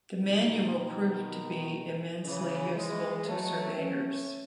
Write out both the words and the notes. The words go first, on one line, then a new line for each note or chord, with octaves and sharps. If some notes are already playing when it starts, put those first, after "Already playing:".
The Manual proved to be immensely useful to surveyors.
B2 D#3
C#3 E3
E3 G#3
F#3 A3
A3 C#4